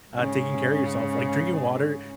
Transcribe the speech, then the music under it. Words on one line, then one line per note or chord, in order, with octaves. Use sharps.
uh, taking care of yourself. Like drinking water.
G#2 C#3